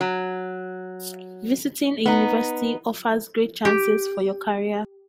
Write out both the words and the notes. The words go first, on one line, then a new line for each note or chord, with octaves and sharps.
Visiting a university offers great chances for your career.
F#3
B3 D#4
G4